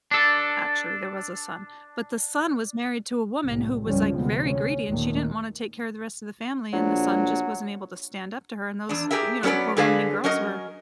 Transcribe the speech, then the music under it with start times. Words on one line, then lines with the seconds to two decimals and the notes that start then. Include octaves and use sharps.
actually, there was a son. But the son was married to a woman who was, like, very greedy, and she didn't wanna take care of the rest of the family, and the son just wasn't able to stand up to her, and those th you know, the poor women and girls were
0.11 D4 A4
3.45 C2 A2
3.86 C#2 G2 C#3 F3 G3 C#4
4.17 D2 C3 G#3 B3
4.49 C#4
4.87 D#2 A#2 D#3 A3
6.73 A#1 F#3
8.89 E2 D4
9.11 G4 G#4 A#4 E5
9.43 F#3 B3 C#4 A4 B4 D5
9.77 D3 D4 G#4 B4 D5 F5
10.24 F#3 C#4 A#4 D#5